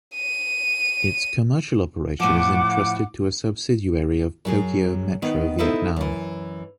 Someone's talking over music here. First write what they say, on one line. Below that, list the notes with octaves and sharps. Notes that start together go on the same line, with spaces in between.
Its commercial operation is entrusted to a subsidiary of Tokyo Metro Vietnam.
D#7
A2 F3 F#5 D6
F#2 F#3 G#4
D#3 B3
B3 D#4 E4 A4 C5
F#2 E3